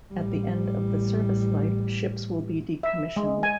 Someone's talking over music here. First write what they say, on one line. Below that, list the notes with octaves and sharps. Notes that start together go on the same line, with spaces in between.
At the end of the service life, ships will be decommissioned.
A1 G3
E5
G#3
G#5